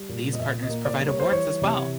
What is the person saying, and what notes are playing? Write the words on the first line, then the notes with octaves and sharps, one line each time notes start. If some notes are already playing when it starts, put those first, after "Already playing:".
These partners provide awards as well.
Already playing: G3
A#2
D#5
A#2 E5
D#5
A#3
D5
G3
C#5
C5
E3 C#5
C3